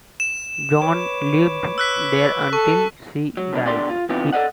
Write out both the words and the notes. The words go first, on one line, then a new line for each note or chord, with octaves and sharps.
John lived there until he died.
E7
B4 C#5 D6
E6 F#6 B6
A4 C#6
F#3
F#2 B2 D4
B2 D3 D4 G4 D5 C6
F4
C3 E3 B3 D#4 F4 G4
A4 A#4 D5 D#5 F#5